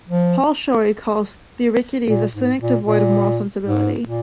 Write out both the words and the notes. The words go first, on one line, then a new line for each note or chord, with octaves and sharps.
Paul Shorey calls Thucydides "a cynic devoid of moral sensibility".
F3
A#2
G#2
A#2
A#2
G#2
A#2